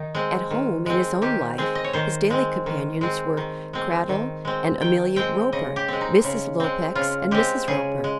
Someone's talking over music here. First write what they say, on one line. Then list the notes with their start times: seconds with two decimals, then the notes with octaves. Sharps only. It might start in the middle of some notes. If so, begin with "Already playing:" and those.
At home, in his own life, his daily companions were Cradell and Amelia Roper, Mrs. Lupex and Mrs. Roper.
Already playing: D#3 D#4
0.15 G#3 C4
0.51 D#3
0.86 G#3 C4
1.22 D#3 G4
1.58 G#3 C4 G#4
1.75 D#5
1.84 C#5
1.93 D#3 C5
2.30 G#3 C4
2.66 D#3
3.01 G#3 C4
3.37 D#3
3.73 G#3 C4
4.09 D#3
4.45 G#3 C4
4.81 D#3 G5
5.16 G#3 C4 G5
5.53 C#3 D#5
5.76 G4
5.88 G#3 C4
6.01 D#4
6.24 C#3
6.60 G#3 C4
6.95 C#3 F4
7.31 G#3 C4 G4
7.68 C#3 G#4
8.04 G#3